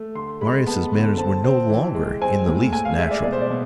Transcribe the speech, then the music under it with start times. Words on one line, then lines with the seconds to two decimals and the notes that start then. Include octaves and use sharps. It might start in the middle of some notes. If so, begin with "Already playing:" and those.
Marius' manners were no longer in the least natural.
Already playing: A3
0.15 D3 C6
0.41 G#3 B5
0.66 B3 A5
0.93 D3
1.18 C4 A5
1.44 C4
1.69 E3
1.95 G#3
2.21 C4 G#5
2.47 A2
2.72 A2 G#5
2.85 F5
2.98 G#3 E5
3.11 D5
3.24 B2 D5
3.32 C5
3.41 D5
3.50 B2